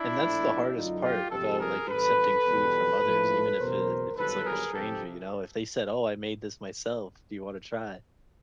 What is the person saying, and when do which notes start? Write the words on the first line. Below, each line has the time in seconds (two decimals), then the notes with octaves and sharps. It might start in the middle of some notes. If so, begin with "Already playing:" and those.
and that's the hardest part about, like, accepting food from others, even if it if it's, like a stranger, you know, if they said, "Oh, I made this myself, do you wanna try?"
Already playing: D4 E4
0.17 A#1 A2 F3 A3
0.74 F#2 D3 F#3 A3 D#4 F4
1.02 F4 G4
1.31 F2 C3 F3 G#3 G4 A4
1.59 G#4 A#4
1.88 A1 A2 E3 G3 A4 B4
2.45 E2 B2 G3
3.02 A#1 A2 F3 A3
3.59 F#1 E2 B2 A#4 C5
4.16 G1 G2 D#3 F#3 A4 B4
4.44 G#4 A#4
4.73 F2 C3 F3 G4 A4